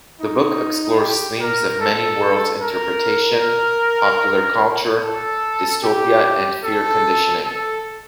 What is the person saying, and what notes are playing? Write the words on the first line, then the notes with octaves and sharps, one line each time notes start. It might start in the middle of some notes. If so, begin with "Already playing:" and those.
The book explores themes of Many-worlds interpretation, Popular culture, Dystopia and Fear conditioning.
D#4
G4
A#4
A4
A#4
A4
G4
A4
A4